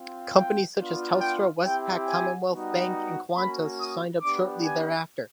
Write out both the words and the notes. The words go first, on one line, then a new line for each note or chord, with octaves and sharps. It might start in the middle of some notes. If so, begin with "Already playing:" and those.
Companies such as Telstra, Westpac, Commonwealth Bank, and Qantas signed up shortly thereafter.
Already playing: C4 F4
G5
B3 D4 F4
G5
C4 E4 G4 G5
G#5
G3 B3 D#4 F#4
A#5
A#3 C#4 F#4 B5
D#6
B3 D4 G4 D6
G#5